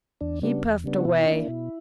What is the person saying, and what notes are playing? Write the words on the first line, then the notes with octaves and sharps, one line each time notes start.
He puffed away.
E2 D4
C#3 G3 B3 D4
E2
C#3 G3 B3 D4
F#4
B2 E4
A#3 D4
B2